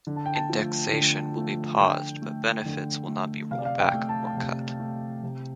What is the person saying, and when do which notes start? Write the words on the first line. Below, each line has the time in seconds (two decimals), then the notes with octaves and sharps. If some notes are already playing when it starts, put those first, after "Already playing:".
Indexation will be paused but benefits will not be rolled back or cut.
0.07 D3
0.16 A5
0.26 G5
0.35 A5
0.49 F3 A3
0.93 D3
1.36 F3 A3
1.79 D3 G5
2.22 A3
2.66 D3
3.08 A3
3.51 C3 F5
3.59 D5
3.65 F5
3.80 G5
3.93 A3
4.09 A5
4.26 A5
4.37 C3 G5
4.79 A3
5.23 C3